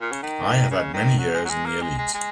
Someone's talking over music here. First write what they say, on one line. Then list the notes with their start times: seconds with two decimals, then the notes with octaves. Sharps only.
I have had many years in the elite.
0.01 A#2
0.12 C#3
0.23 D#3
0.70 C#3
0.94 D#3
1.18 F#3
1.34 G#3
1.45 F#3
1.50 G#3
1.66 A#3
1.82 G#3
1.98 G#3
2.14 G#3